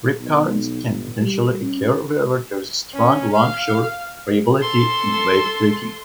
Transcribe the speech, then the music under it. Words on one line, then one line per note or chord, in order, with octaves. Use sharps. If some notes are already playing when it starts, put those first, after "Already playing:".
Rip currents can potentially occur wherever there is strong longshore variability in wave breaking.
B1
G1
G3
C#4
C#4
F5
A4 C6